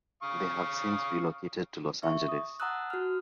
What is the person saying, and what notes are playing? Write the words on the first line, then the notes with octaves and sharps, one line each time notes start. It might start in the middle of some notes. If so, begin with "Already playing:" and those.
They have since relocated to Los Angeles.
F5 C#6 D#6
E5 C#6
D#6
F#5 A5 A#5 D#6 E6 F#6
F#4 F6